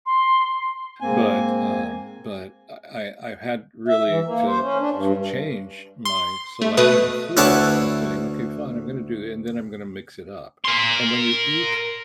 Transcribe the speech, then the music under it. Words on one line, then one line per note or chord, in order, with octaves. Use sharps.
But, um but I I I've had really to to change my selection of foods and saying, "Okay, fine. I'm gonna do it, and then I'm gonna mix it up." And when you eat
C6
G#2 A#3 C4 G#5
E5
E3
A#3
C5
C#4
D4
G2
C6
A3
B2 A3 B4 D#6
D2 E4 B4 C#5 F#5 A5
A#4 C6